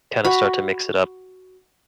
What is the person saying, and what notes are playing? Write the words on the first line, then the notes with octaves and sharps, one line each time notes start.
kinda start to mix it up.
F#4 B5